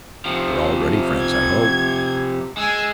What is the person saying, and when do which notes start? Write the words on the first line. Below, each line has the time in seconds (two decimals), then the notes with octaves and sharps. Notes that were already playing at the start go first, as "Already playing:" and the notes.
"We are already friends, I hope."
0.25 C3 F3
1.21 G#6
2.57 G#3 G#5 E6